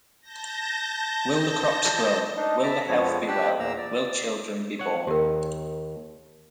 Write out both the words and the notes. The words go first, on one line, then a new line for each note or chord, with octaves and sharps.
Will the crops grow, will the health be well, will children be born.
A5 G6 A#6
D4 D#4
E5 A5 A#5 D6
F2 D3 F3 G#3 B3 C#5
D4 G4 G5 E6 F#6
E2 A#2 A#3 A#5 E6
D5
C#5 F#5
D#2 G4 A#4